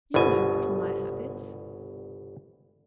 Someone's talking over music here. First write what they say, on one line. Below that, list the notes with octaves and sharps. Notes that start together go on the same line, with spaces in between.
You knew what were my habits.
G1 C2 B2 G#5